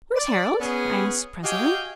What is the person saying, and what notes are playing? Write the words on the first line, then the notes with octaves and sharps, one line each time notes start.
"Where's Harold;" I asked presently.
D5
B3 C#4 G#4
F#4 G4 D#5 F5 G5 G#5